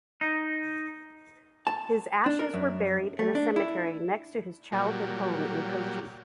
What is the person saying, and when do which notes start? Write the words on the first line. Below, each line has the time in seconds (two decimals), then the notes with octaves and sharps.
His ashes were buried in a cemetery next to his childhood home in Kochi.
0.21 D#4
1.67 A5
2.26 D4
2.39 A#4
2.54 F#2
3.19 A3
3.35 D4
3.56 E4
4.72 A#2 F#3 G3